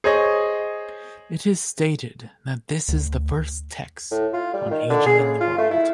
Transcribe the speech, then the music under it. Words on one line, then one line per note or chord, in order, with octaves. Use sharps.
It is stated that this is the first text on ageing in the world.
G#4 C5 C#5 D#5
D2
A2
F4
G3
D#3
D3
G#4
C#3
F4
A3
E4